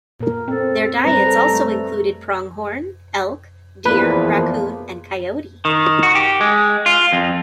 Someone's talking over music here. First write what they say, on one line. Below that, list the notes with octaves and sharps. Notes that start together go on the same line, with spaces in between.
Their diets also included pronghorn, elk, deer, raccoon and coyote.
A#2 A#4
C4 A4
G3 C4 B4 A#5
A4
A3
E2 A#2 F3 B4
D#3
F#4
G4
G#3
F4
F2